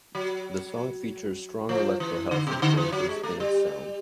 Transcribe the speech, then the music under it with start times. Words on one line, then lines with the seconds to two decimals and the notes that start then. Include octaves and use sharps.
The song features strong electro house influences in its sound.
0.15 F#3
1.69 F3
2.00 E3
2.31 D3
2.47 B2
2.62 D3
2.77 E3
2.93 F#3
3.09 G#3
3.23 A3
3.40 G3